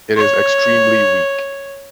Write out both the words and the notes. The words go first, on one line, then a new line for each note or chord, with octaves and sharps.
It is extremely weak.
C#5